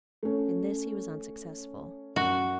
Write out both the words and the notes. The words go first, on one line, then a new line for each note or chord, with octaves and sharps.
In this he was unsuccessful.
A3 C#4
F#2 F#4